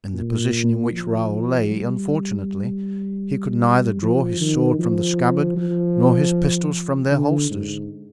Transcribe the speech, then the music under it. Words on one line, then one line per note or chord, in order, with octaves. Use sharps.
In the position in which Raoul lay, unfortunately, he could neither draw his sword from the scabbard, nor his pistols from their holsters.
A#2
F3
G3
F3
D#3
F3
F3
D3
G#2